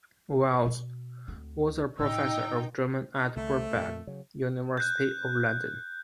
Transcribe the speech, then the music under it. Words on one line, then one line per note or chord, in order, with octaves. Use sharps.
Wells, was a Professor of German at Birkbeck, University of London.
B2
D2 C4
A2 C#3 D#4 G5 E6
D#4
C2 D3 A3
F2 A#2
C#3 F#3
F#6 G6